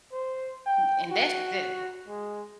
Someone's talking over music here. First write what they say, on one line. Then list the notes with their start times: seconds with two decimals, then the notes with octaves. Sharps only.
N and that's def
0.12 C5
0.66 G5
1.11 F#4
2.07 G#3